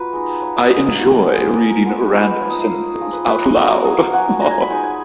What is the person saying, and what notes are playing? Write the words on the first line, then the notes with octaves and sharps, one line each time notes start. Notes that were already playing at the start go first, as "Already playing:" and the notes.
I enjoy reading random sentences out loud.
Already playing: A#3 F4 F#4 B4
G#3 D#4
C#5
D#5
G#3 D#4 F5
D#5
F#4
F4
G#3 C#4 F4 G#4
A#4
A#4
G#3 B3 F4
B4
F3 A#3 D#4 C#5
D#5
F5
F3 G#3 D#4
B4
B4
A#4
F#3 A#3 F4 F#4
C#5
D#5
F5
F#3 C#4 F4 F#5
G#5
A#5
G#5
B5
G#3 D#4 G#5
G#5